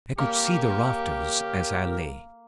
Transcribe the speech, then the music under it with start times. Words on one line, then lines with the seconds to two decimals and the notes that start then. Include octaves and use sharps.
I could see the rafters as I lay.
0.19 A#3 G4 A#4 C#5 F5